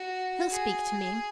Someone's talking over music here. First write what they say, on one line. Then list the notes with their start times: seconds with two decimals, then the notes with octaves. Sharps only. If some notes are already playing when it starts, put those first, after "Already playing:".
He'll speak to me.
Already playing: F#4
0.52 G#4